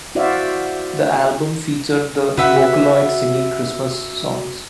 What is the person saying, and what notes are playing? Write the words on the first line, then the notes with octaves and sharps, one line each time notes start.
The album featured the Vocaloid singing Christmas songs.
E4 F#4 C5 D5 E5 F5
C#3 F#4 B4 E5 F#5